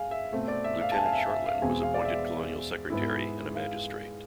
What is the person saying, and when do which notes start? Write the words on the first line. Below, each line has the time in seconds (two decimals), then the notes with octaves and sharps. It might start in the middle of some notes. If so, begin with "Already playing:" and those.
Lieutenant Shortland was appointed colonial secretary and a magistrate.
Already playing: G#3 F5 G#5
0.11 E5
0.32 B2 A3 C4
0.48 D5
0.64 E5
0.82 F5
0.92 A5
0.97 G#5
1.06 F5
1.13 E5
1.30 E5
1.46 F5
1.61 E2 B2 G#3 C4 G#5
1.83 F5
1.94 D5
2.05 E5
2.90 G#2 G#3 B3 E4
3.55 F5